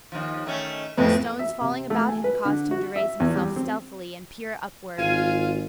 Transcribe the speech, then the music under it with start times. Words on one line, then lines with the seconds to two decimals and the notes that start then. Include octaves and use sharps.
The stones falling about him caused him to raise himself stealthily and peer upward.
0.12 D#2 F3
0.46 D#3 A3 C#4
0.97 F2 A2 C3 G#3 B3 C4
1.39 E5
1.61 C3
1.90 A3
2.09 G#5
2.24 B4
2.45 D3
2.71 F#4
2.96 E5
3.20 E2
3.35 G3
3.56 C4
4.98 G#1 F4 F5 G#5